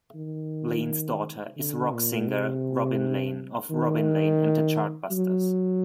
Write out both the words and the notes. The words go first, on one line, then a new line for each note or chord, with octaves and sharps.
Lane's daughter is rock singer Robin Lane of Robin Lane and the Chartbusters.
D#3
D3
A#2
C3
D#3
F#3